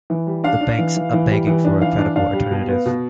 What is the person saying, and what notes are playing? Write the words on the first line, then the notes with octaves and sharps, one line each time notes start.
The banks are begging for a credible alternative.
E3
G3
D4 F5
D4
E3
E3
E3
G3
E3
D4
E3 F5
D4
D4 F5
G3
B2
B3
B2